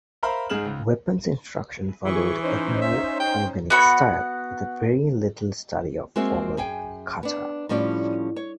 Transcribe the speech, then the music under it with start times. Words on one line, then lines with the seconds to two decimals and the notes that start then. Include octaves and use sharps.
Weapons instruction followed a more organic style, with very little study of formal kata.
0.23 A#4 C5 E5 F5 A#5 B5
0.50 G#2 D#4 G#4 F6 E7 F#7
0.65 C#2
2.05 E3 G#4 C#6
2.42 C#4 D#4 C5
2.81 E5
3.20 G5
3.70 B3 F#4 B5
6.16 G#3 A#3 C4 F#4 G#4 E5
6.57 F#2 G#4 G5 G#5
7.23 B3 D4
7.69 A2 F3 G3 C#4 D5
8.36 C#5